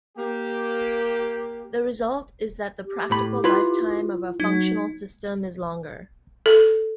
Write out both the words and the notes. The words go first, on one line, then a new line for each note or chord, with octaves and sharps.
The result is that the practical lifetime of a functional system is longer.
A#3 G4
G4
A2 B5
E4 F4 B4
F#3 D#4
A4